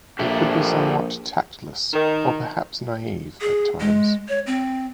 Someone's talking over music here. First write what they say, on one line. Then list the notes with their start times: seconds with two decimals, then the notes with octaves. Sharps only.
It could be somewhat tactless, or perhaps naive, at times.
0.19 A#1 G4 A4 E5
1.94 D#3
3.41 G#4
3.80 G#3
4.28 C#5
4.47 C4